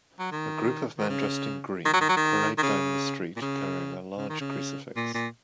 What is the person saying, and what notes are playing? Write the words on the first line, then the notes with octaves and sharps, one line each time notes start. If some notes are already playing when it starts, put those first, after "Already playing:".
A group of men dressed in green parade down the street carrying a large crucifix.
F#3
D#3
D#3
C#3
D#3
F#3
D#3
F#3
D#3
D#3
C#3
A#2
C#3
C#3
D#3
C#3
A#2
A#2